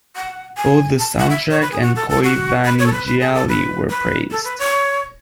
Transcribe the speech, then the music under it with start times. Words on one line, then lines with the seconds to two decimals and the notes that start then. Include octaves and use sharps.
Both the soundtrack and "Coi Vanni Gialli" were praised.
0.16 F#5
0.57 G#5
0.99 A5
1.19 F#5
1.30 E5
1.51 C#5
1.61 B4
1.72 G#4
1.82 F#4
1.96 A4
2.09 A4
2.23 F#4
2.65 B4
2.79 C#5
2.86 A4
2.93 B4
3.06 B4
3.20 G#4
3.34 A4
3.49 B4
3.90 B4
4.31 A4
4.45 B4
4.59 C#5